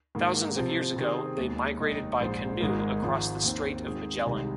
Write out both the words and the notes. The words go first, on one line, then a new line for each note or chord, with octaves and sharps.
Thousands of years ago, they migrated by canoe across the Strait of Magellan.
G#2 D#3 A#3
C3 F3 C4
C3 D#3 C4 G#4
D#2 D#3 G#3
F1 D#2 D#3 G#3 D#4
A#1 G#2 G#3 D#4 C5
G#1 G#2 G#3 D#4 A#4
G#1 G#2 F3
D#2 D#3 C4
G#2 D#3 C4 G#4 C5
C2 C3 D#3 G#3 D#4